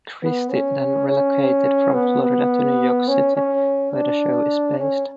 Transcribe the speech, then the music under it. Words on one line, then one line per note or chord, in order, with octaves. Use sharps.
Christy then relocated from Florida to New York City, where the show is based.
B3
C#4
C#4
B3
B3
C#4
C#4
D4
C#4